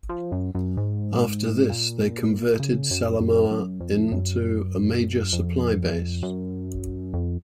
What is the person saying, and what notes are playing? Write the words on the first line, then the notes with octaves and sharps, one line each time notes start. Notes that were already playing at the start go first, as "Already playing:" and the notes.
After this they converted Salamaua into a major supply base.
F3
F#2
F#2
G#2
A#2
C#3
F#2
F#2
F#2
F2
F#2
F2
F#2
F2